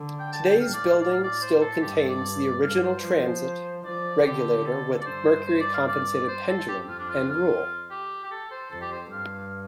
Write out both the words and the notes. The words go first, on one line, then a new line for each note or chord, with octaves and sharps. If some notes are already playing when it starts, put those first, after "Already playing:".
Today's building still contains the original transit, regulator with mercury-compensated pendulum, and rule.
Already playing: D3
G5
A5
G5
A2 F5
D5
F5
D5
F5
D5
C5
A4
G2 G4
A4
D5
G2 F5
C5
F3
F3 D5
D3 G4
A4
D5
G2 C5
C5
D5
F5
D5
C5
A4
F2 G4
F4
D4
F4
F4
G4
G4
A4
C5
F2 A4
G4
C5
G2 F5